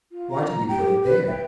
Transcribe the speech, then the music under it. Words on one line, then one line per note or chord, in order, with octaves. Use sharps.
Why did you put it there?
F4
A#5
G4 G5
B4
B4 E5 G5